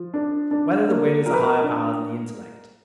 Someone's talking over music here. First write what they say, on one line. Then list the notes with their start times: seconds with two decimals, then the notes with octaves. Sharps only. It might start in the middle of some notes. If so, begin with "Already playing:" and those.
Whether the Will Is a Higher Power Than the Intellect?
Already playing: F3
0.14 D4
0.51 D4
0.88 A#3
1.26 F3 A#4
1.33 B4
1.41 A#4
1.64 D4